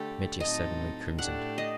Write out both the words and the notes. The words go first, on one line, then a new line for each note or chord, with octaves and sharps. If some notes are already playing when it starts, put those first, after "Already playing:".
Mitya suddenly crimsoned.
Already playing: D3 A3 G4
A2 F#3 C4 D#4 A4 D#5
A2 A3 D4 G4 F#5
D#5